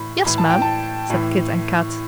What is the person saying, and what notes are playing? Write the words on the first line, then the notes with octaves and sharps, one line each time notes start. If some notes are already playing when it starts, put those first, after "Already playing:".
"Yes, Ma'am," said Kit and Kat.
Already playing: A2 E3 B5
A2 E3 B5
A5
G5
A5
A2 E3